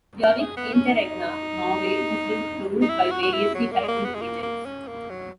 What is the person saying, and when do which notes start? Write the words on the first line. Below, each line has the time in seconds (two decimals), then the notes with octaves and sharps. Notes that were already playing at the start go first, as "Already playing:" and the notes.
During interregna, Norway has been ruled by variously titled regents.
0.23 A#4
0.40 G#4
0.57 B3
0.74 C#4
0.89 D#4
2.82 D#4
2.89 E4
3.11 F#4
3.23 F#4
3.33 E4
3.54 F#3
3.71 A#3
3.83 G#3
3.88 A#3
4.05 B3
4.14 G#3
4.21 A#3
4.43 A#3
4.66 C#4
4.88 A#3
5.10 F#3